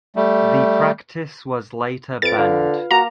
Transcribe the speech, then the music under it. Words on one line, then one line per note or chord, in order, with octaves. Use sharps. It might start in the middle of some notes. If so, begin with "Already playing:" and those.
The practice was later banned.
G3 A3
F2 F4 B4 A6 D7
D3 F5
A#3 F#4 A#5